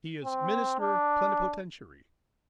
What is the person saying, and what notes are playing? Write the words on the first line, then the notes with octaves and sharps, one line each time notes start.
He is minister plenipotentiary.
C4
D4